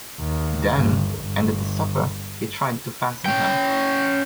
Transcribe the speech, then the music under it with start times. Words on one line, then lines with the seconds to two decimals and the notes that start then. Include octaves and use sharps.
Then, and at supper, he tried to fathom her.
0.19 D#2
0.74 G1
1.20 G1
3.26 C#4 G5